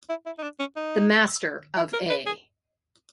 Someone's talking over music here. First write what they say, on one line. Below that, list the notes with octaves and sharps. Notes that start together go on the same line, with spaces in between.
The master of A.
E4
E4
D#4
D4
C#4
D#4
E4
A#4
B4
G#4